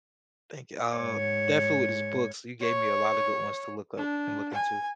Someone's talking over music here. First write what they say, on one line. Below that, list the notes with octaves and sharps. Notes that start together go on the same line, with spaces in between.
Thank you, I'll definitely, these books, you gave me a lot of good ones to look up and look into.
G#2 C#5
C#5
D4
G#5